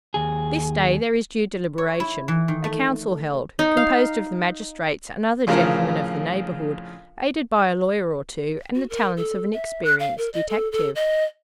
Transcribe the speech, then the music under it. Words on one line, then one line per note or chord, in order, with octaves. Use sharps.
This day there is due deliberation; a council held, composed of the magistrates and other gentlemen of the neighbourhood, aided by a lawyer or two, and the talents of an experienced detective.
D#2 G#4
C#5
E4
E3
D#3
A3
D#4
F5
A#1 A2 C#3 F3 F4 A#4
F#4
A#4
A4
E5
F#6
F5
A#4
D#5
A4
A4
D#5